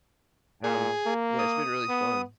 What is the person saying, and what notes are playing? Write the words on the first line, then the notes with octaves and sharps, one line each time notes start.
um, yeah, it's been really fun.
A#2 G#4
A#3
D#6
B3